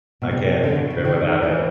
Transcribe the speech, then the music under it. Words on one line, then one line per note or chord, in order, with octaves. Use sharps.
I can't picture it without him.
B2
C3
D3
C#3
C#3
D#3
D#3
E3